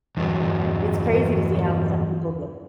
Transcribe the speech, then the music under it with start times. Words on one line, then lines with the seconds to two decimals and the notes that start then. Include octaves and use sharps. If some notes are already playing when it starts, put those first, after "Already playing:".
It's crazy to see how some people built
0.17 E2 G2 F#3